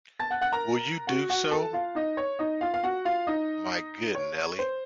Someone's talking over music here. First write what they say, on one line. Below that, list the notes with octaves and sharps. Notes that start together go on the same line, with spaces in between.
Will you do so, my good Nelly?
A5 A6
F#5 F#6
F#5 F#6
A#4 A#5
F#4 F#5
F#4 F#5
A4 A5
F4 F5
D#4 D#5
C#5
D#4 D#5
F4 F5
F5
F#4 F#5
F4 F5
D#4 D#5
C#5
C5